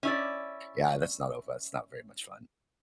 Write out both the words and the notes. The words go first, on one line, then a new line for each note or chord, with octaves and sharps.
Yeah, that's not o that's not very much fun.
C#4 E4 D5